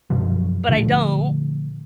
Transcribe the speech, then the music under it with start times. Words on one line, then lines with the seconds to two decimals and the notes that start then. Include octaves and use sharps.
but I don't.
0.10 F#2 B2 F3 F#3
0.69 A#2 D3 F3 A3